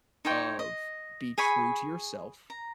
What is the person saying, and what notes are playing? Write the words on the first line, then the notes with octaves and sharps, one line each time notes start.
of, "Be true to yourself
D#4 C5 C#5 G5
D#5
G#4 G#5 B5 C#6
A#5